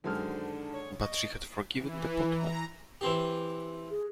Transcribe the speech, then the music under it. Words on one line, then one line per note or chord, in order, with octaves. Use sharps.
But she had forgiven the pot man.
F#2 D3 D#3 F#3 G#3 A4 C5 F6
C#5
D#5 C#6
E3
A#5
E3 C4 G4
G#4